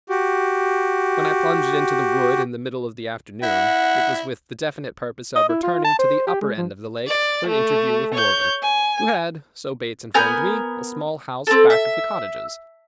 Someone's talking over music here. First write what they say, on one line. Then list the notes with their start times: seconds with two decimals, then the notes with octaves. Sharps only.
When I plunged into the wood in the middle of the afternoon it was with the definite purpose of returning to the upper end of the lake for an interview with Morgan, who had, so Bates informed me, a small house back of the cottages.
0.09 F#4 G4
3.43 E4 F#5
5.36 D#5
5.49 E4
5.63 F4
5.85 A5
5.99 C5
6.27 G4
6.42 G#3
6.58 F3
7.07 D5
7.47 A3
8.15 C#5 G6
8.62 G#5
10.14 B3 A#4 G#5 G6
11.47 C4 A4
11.70 E5